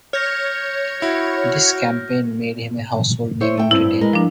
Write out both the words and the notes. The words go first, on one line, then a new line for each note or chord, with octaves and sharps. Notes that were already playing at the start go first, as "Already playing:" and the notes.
This campaign made him a household name in Britain.
C#5 F6 G6 A#6
E4 F#4
E4 C5 C#5
A3 G5
G2 C4 E4
G#3 A#4 B4
F3 D4